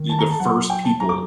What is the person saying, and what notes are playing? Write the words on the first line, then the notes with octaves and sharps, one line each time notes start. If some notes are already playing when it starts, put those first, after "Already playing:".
e the first people
Already playing: D#3
A5
A#5
A5
F#3 F#5
G5
A5
F#3 A#5
D6